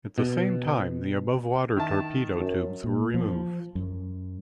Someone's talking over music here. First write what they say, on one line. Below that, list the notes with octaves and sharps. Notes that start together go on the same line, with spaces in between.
At the same time the above-water torpedo tubes were removed.
B2
D#3 E5 A5
F#2
A#2
F3
F#2